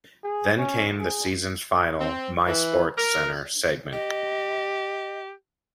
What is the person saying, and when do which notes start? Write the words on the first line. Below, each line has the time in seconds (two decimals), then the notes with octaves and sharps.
Then came the season's final "My "SportsCenter"" segment.
0.24 G#4
0.58 C#4
0.98 G#4
2.00 C4
2.48 E3
2.98 A#4
3.93 G4 D#5